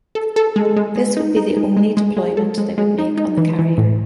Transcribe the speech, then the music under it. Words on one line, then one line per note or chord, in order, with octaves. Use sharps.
This would be the only deployment they would make on the carrier.
A4
A4
G#3
G#3
G#3
D#4
D#4
G#3
G#3
G#3
G#3
A4
G#3
G#3
D#4
D#4
E3
E3
A2